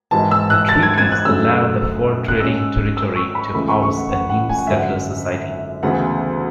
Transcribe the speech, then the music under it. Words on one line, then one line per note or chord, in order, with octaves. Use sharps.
The treaties allowed the fur trading territory to house a new settler society.
G#1 G#2 E3 A5
E6
F#6
A6
G#6
G#6
F#6
F#2 C#3 F#3 A3 E6
F#6
G#2 G#3 C#4 E6
E6
C#6
B5
C#2 C#3 E3 A3 B5
C#6
C#6
F#5
F#5
F#5
G#5
F#5
G#1 F#2 D3 E5
F#5
D2 C#3 E3 B3 F#5